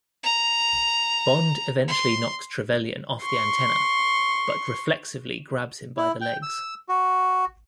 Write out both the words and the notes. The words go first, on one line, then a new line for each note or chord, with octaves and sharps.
Bond eventually knocks Trevelyan off the antenna, but reflexively grabs him by the legs.
A#5
C6
C6 C#6
E4
G5
E6
F#4